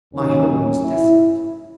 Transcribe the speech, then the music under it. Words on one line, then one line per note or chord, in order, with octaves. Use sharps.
My home was desolate.
D#2 D#3 F#3 C#4
C#4
E4